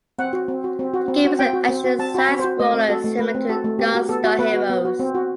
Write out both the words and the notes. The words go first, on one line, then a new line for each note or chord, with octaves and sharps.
The game is an action side-scroller similar to "Gunstar Heroes".
C4 F#5
F#4
C4
F#4
C4
F#4
C4
F#4
C4 G5
F#4
C4
F#4
C4 A5
F#4 B5
C4
C5
F#4
A3 D#5
C4
F#4 A4
A3
A3 B4
C4
F#4 A4
A3
B3 G4
F#4
B3 A4
F#4
B3 B4
F#4
B3
F#4
C4
F#4